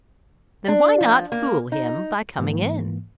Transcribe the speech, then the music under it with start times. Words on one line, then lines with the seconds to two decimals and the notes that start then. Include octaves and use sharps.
"Then why not fool him by coming in?"
0.68 D4
1.01 F3
1.32 A#3
1.72 D#4
2.39 G#2 E3 A#3